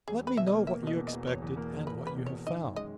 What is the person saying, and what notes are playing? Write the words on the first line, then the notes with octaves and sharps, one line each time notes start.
Let me know what you expected, and what you have found.
E1 G#4
E1 B4
B2 E5
D#5
A#3
A#3 E5
B2 D#5
E2
D#5
E1
E1 C#5
E2
A#3
E1
E1 B4
A#3 B4
B2
C#5
B2
D#3 D#5
F#2
G#3 D#5